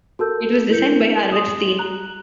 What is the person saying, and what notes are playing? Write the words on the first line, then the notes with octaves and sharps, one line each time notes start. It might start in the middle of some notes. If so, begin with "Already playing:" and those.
It was designed by Arvid Steen.
F#4 A4 A#4 A5 E6 G6
E4 A#4 G6 C#7
C6 D#6
A#5 F#6